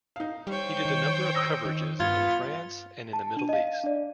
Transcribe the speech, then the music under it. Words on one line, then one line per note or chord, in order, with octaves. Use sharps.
He did a number of coverages in France and in the Middle East.
D#4 F5
G3 C5 C#5 G5
D#3
D#6 E6 A#6
D#3
G2 B3 F4 G#6
A5
D4 D#7
D#5 F5
D4 D5